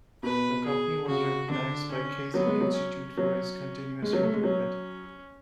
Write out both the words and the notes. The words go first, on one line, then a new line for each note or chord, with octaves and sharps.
The company was recognized by Kaizen Institute for its continuous improvement.
B2 B4
G#4
C#3 F#4
D3 D4
C#4
F#3 B3
G#3
F#3
C#4
F#3
G#3 C#4
F#3
A3
G#3
F#3 C#4